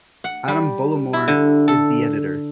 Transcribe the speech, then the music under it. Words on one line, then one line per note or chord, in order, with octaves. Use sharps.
Adam Bullimore is the editor.
F#5
G3
E4
D3
A4